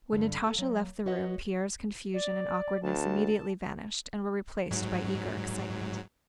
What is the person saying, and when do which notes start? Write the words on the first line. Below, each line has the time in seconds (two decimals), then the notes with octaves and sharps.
When Natasha left the room Pierre's confusion and awkwardness immediately vanished and were replaced by eager excitement.
0.13 G2 D3
0.43 A4 A5
0.55 F#3 A#3
1.06 F#4 B4 C#5 D#5 F#5
2.14 D5
2.82 D2 A5
4.71 G#2 F#3